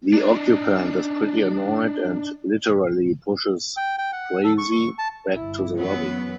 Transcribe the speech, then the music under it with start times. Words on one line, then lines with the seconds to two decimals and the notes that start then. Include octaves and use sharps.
The occupant is pretty annoyed and literally pushes Krazy back to the lobby.
0.13 D4 D#4
3.77 G5
3.98 G5
4.13 F#5
4.44 A4
4.58 C#6
4.72 C#6
4.99 A5
5.35 G1 E4
5.77 F#2 E3 F#3 B3 C#4 B4